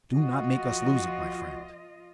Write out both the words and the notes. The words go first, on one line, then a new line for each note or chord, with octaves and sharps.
"Do not make us lose it, my friend."
F3 F4 F#4 D#5